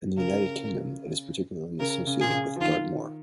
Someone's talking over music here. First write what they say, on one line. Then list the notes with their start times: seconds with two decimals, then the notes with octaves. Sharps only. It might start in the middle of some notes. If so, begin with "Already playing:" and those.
In the United Kingdom it is particularly associated with Dartmoor.
0.17 C#3 A#4
1.80 C#3 A#4
2.07 C#3
2.21 A#2 G#4
2.34 C#3
2.56 F3
2.61 D#3 F4